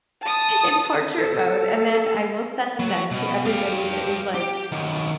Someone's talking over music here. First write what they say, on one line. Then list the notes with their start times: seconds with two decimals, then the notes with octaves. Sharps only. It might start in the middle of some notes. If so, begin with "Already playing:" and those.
in portrait mode, and then I will send them to everybody that is, like,
0.22 A5 D#6
1.18 A4
2.80 F#3
3.11 B2
3.45 G4 F5
4.35 G4
4.72 D#3 F#3